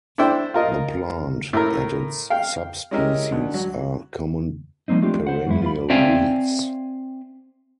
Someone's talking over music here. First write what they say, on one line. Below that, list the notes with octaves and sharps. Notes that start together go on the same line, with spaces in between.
The plant and its subspecies are common perennial weeds.
D4 E4 C5 G5
F4 A#4 D#5
A2 A#4
F5 G5
G#3 C#4 E4 G4 A#4 D#5
D2
F#3
F3 G3 A#3 C4 D#4
A3 C4 D4 F4 G4
C5 F#5
F#2 G#3 E4
F4 B4 B5
C4 D5 E5 F5 G5 G#5